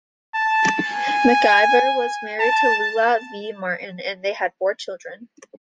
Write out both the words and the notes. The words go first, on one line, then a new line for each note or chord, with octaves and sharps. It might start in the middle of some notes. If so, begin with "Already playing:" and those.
McIver was married to Lula V. Martin and they had four children.
A5
G#5
A5